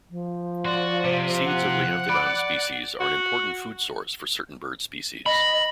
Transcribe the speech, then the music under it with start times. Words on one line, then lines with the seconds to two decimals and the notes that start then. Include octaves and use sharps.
Seeds of "Leontodon" species are an important food source for certain bird species.
0.10 F3
0.65 F#4 D5 C6
1.05 C3 C5
1.46 F#5
2.09 D5 B5 D6
3.00 F#4
5.26 D#5 B5